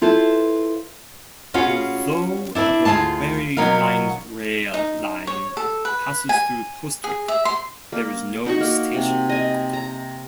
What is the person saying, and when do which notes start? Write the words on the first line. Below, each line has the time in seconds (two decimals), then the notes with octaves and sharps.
Although the Wherry Lines rail line passes through Postwick, there is no station.
0.02 E4 F4 A4 B4 C5
1.54 B3 C#4 F4 F#4 G#4
2.55 D4 E4 B4 D5
2.85 D2 C#3 F4 G#4 A5
3.57 B2 F#3 B3 A#4 F5
4.74 D#4
5.27 C#5
5.57 A4
5.85 B4
6.29 G#5
7.04 G#4
7.28 E5
7.45 C6
7.92 A#3
8.46 D#4 F#4 C#6
8.60 A#3
8.94 C3
9.29 D#5 G#5
9.73 A#5